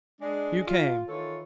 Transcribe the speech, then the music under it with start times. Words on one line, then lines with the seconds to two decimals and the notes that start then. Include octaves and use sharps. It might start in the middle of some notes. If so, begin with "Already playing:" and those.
You came.
0.21 G#3 D4
0.67 F4
1.09 D#3 E3 F4 A4 C#5